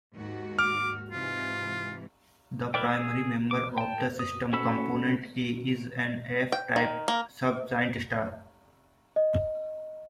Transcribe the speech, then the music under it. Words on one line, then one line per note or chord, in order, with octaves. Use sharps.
The primary member of the system, component A, is an F-type subgiant star.
D#2 G#2 F#4
D6 F6
G#2 C3 E3 F4
E4 A#4 B4 D5 G5
G#4 E6
D6
G5 A5
D#6
C#4 F#4 A4 B5 E6
G5
D#3
A#3
D#5